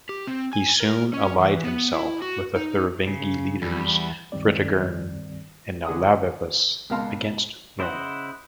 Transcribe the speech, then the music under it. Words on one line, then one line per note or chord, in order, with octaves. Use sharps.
He soon allied himself with the Thervingi leaders Fritigern and Alavivus against Rome.
G4
C4
G#5
A#4
C#4
E3
B3
E4
F#4
D#4
C#3
E2 G3
C#2 G2 D#3 G3 C4 D5
D3 G#4 F#5 D#6
C#2 B2 A#4 F5 A5 C6
C#3 E4 C5 D#5 F#5